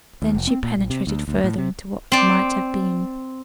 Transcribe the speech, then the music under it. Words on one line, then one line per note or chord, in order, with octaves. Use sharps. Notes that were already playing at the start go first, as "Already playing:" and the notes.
Then she penetrated farther into what might have been.
D#2
F1
C4
A#2
A#1
C3
D2
D2
A2
C3
C4 D5